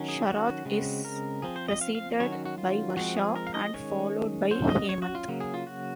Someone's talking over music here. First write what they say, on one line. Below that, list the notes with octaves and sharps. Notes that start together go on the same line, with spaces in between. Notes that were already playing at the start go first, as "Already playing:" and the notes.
Sharad is preceded by Varsha and followed by Hemant.
Already playing: D#3 F#3 C#4
G#4
F#4
C#3 G#3 C4
A#4
F3 C4 G#4
C5
D#5
F5
F5
D#3 F#3 C#4 C#5
F#4
F#4
F4
F3 G#3 C4 F#4
G#4
A#4
F5
D#5
D#3 G#3 C#4 C#5
F#3 C#4 C5
D#5
C#5
F#4
F4
C#3 F#3 A#3
G#4
F4
F#4